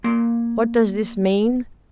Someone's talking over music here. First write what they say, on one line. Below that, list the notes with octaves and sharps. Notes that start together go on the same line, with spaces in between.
What does this mean?
A#3 C6